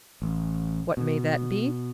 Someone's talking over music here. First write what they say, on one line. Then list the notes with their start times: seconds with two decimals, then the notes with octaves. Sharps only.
What may that be?
0.22 A1
0.97 B2